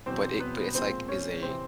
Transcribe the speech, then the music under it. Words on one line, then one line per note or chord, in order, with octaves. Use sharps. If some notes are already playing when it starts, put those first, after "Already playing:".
But it but it's, like, is a
E2 B2 F#3 C4 C5
B3 B4
A#2 F3 G#3 C4 C5
C#4 C#5
C3 E3 C4 C5